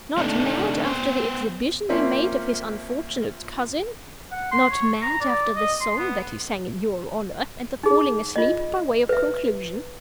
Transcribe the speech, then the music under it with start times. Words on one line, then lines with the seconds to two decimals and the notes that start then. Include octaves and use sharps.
Not mad, after the exhibition he made of his unfortunate cousin? Not mad, after the song that he sang in your honor, and the falling asleep by way of conclusion?
0.17 A3 C4 D4 D#4
0.85 B3 C5
1.89 F3 A#3 C4 C#4 E4
4.32 F#5
4.52 C6
4.72 C#5
5.02 A#5
5.21 D5
5.55 D#5
5.80 C6
5.98 B3
7.83 D#4 G#4
8.36 F4 D#5
9.09 B4 E5